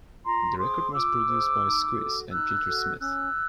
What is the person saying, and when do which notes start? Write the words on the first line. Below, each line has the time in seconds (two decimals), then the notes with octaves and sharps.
The record was produced by Squeeze and Peter Smith.
0.23 F4 A#5 C6
0.57 G#4 C5 C6 D6
0.92 F4 D6 E6
1.28 G#4 C5
1.62 D#4
1.97 F#4 A4
2.31 D#4 E6 F#6
2.65 F#4 A4
2.99 C#4 E6 F#6